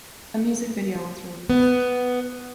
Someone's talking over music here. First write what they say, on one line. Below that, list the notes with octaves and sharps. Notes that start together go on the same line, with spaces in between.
A music video was released.
B3